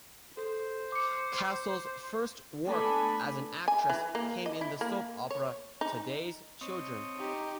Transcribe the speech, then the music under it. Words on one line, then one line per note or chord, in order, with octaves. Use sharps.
Castle's first work as an actress came in the soap opera "Today's Children".
A4 C5
D6 C#7
A3 B3 D4 A4 G#5 B5
G#5
E3
A#3
D#5
E4
A#3
C#5
D#4
C4 C#5 D#5
D#4 G4